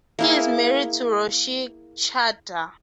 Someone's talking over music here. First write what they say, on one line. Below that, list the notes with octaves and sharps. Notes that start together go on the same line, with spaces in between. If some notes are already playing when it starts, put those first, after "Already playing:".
He is married to Roshi Chadha.
A#3 E4 G#4